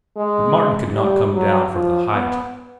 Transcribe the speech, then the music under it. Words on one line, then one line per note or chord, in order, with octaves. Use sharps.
But Martin could not come down from the height.
G#3
G3
F#3
F3
B3